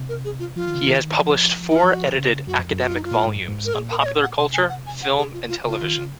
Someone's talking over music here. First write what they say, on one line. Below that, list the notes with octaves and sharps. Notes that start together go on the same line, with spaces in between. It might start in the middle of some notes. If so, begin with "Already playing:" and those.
He has published four edited academic volumes on popular culture, film, and television.
Already playing: C3
A#4
G#4
F4
F3 F4
D#3
C#3
D#3
F3
D#4
F4
F3 F#4
C#3
F#2 F#4
F2
F#2
F#4
F4
D#4
F4
A#2
G#2
F#2
G#2
A#4
A#2 G#4
A#4
D#5
C#5
F#5
C3 C6
G#5
F#5
G#5
F#5
G#4
F4
F4
C#3 F4
D#3
C#3